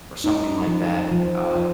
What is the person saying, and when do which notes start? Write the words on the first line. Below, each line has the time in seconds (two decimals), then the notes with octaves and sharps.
or something like that. Uh,
0.24 D#4
0.68 F3
1.12 F3
1.56 F3